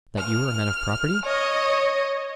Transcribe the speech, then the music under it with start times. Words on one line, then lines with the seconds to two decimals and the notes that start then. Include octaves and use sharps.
'That you are a man of property?'
0.18 F6
1.24 C#5 D#5